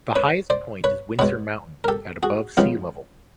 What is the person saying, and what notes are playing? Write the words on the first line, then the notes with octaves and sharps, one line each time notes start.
The highest point is Windsor Mountain, at above sea level.
B4 C#5
C5 D5
B4 C#5
B2 G#3 B3 B4 C#5
A#4
G4 A4
F#4 G#4
F2 C#3 F3 G#3 B3 F4 G4